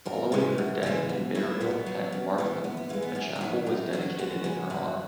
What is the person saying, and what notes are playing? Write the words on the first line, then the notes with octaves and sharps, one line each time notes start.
Following her death and burial at Martham, a chapel was dedicated in her honour.
F#2 A#4
C#3 E3 G#3
F#2
C#3 E3 G#3
B2
F#3 E4
B2 B3
F#3
F#2
E3 G#3
F#2 B3
B3
E3 G#3 A#3
B3
F#2 C#4
D#4
D#3 F#3 E4
F#2 D#4
D#3 F#3 F#4
F#2 F#4
C#3 G#3 F#4
F#2 F#4